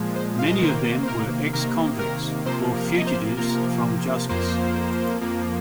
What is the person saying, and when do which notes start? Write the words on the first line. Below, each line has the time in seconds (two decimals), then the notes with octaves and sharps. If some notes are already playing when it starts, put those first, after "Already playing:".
Many of them were ex-convicts or fugitives from justice.
Already playing: A#2 F3 G#3
0.16 C5
0.39 F5
0.50 D#5
0.62 C3 D#3 A#3 C5
1.03 C5
1.08 A#4
1.53 C3 D#3 A#3 A#4
1.99 A#4
2.45 C3 F3 A#3 C5
2.76 A#4
2.98 D#5
3.07 C5
3.37 C3 F3 A#3 A#4
4.29 F2 F3 A#3 C5
5.21 F2 F3 A#3